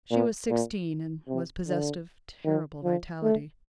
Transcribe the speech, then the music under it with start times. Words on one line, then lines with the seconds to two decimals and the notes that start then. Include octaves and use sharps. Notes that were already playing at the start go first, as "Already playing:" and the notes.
She was sixteen, and was possessed of terrible vitality.
0.11 A#2
0.50 A#2
1.28 C3
1.67 D3
2.45 D#3
2.84 F3
3.22 A3